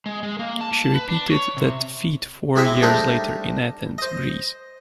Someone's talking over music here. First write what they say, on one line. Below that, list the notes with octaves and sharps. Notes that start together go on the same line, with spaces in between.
She repeated that feat four years later in Athens, Greece.
G#3
G#3
A#3
A5
B4
D4
C#5
C3
C3 G#3 C4 E4 D#5 E5
G3 A3 D4 D#4 A#4 C5
C5 D#5